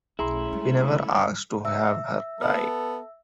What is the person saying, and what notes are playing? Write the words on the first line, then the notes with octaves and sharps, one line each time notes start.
We never asked to have her die.
B1 E2 A3 C#4 E4 G#4 A#5 C6
G3 G#3
E5 E6
B3 A4